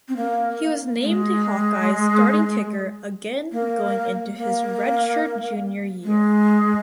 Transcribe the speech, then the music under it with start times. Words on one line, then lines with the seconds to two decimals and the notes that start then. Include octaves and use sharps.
He was named the Hawkeyes starting kicker again going into his redshirt junior year.
0.08 C4
0.16 A#3
1.01 A#3
1.05 G#3
3.52 A#3
4.37 A#3
6.04 G#3